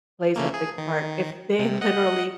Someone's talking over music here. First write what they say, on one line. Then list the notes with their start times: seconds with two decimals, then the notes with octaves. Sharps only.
plays a big part if they literally,
0.36 C#3 A3 A#3
0.54 G#4
0.78 D#3
1.59 C3
1.81 D#5 F#5